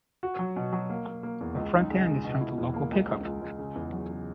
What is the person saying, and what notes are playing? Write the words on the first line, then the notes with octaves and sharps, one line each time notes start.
The front end is from the local Pickup.
F#4
F#3
B2
F#3
A#3
A#3
A#3
E2
C#2
D#4
C#3
G#3
B2
E4
E2
A#3
C#2
C#2
C#2
C#2
C#3
E2
F#3
C#3